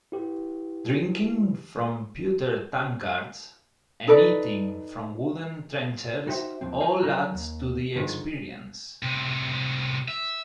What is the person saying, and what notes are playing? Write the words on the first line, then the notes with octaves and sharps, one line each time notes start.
Drinking from pewter tankards and eating from wooden trencher all adds to the experience.
E4 G4 B4
D#4 A4 B4 D5
D#4 F#4 G4 C5 D#5 E5
D#2 F3 C4
C5 F5 G#5 A#5
F#3 C#4 A#4 A#5
D#2
G2 D3 D#3 F3 G#3
A2 C3
E5